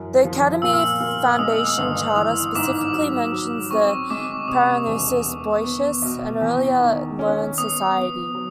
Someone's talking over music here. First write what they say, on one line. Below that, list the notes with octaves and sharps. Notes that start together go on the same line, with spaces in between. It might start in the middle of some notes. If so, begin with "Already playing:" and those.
The Academy's foundation charter specifically mentions the Parnassus Boicus, an earlier learned society.
Already playing: F#2 E3
F3
A#2 E6
F6
E6
A#2
G#3 D#6
E6
D#6
G1
E3 D#6
G#2 D6
F#3
F#3
C4 C#6
G#3 D6
C3 D#6
E1
B3
B3
B2
E2
D#3
C#4
B3 D#6
B3
F#3